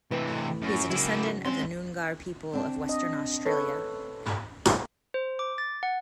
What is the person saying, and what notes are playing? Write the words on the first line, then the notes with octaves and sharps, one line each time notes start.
He is a descendant of the Noongar people of Western Australia.
A2 C3 E3 B4
F#2
G#2 C#3 F#3 A#3 E4
G#2 C4 C#4 C6
C4 D4 A5
D#5
A4 B4 C#5
C5
D6
A6
F#5